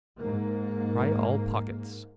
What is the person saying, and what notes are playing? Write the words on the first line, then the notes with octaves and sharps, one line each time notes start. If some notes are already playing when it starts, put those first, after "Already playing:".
Try all pockets.
G#2 A#3